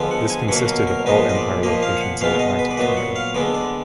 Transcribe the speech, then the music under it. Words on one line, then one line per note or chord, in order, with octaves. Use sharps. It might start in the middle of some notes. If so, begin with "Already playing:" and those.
This consisted of all Empire locations in Atlantic Canada.
Already playing: D3 F3 G#3 B3
F#5
G#5
B2 F#3 A#3 F#5
A#4
A#4
A#2 F3 G#3 B3 D#5
D#5
D5
A#2 F3 A#3 D#5
F5
F#5
B2 G#3 B3 F5
D#5
B4
D5
A#2 F#3 B3 D#5
F#5
F5
D3 G#3 B3 D5
D5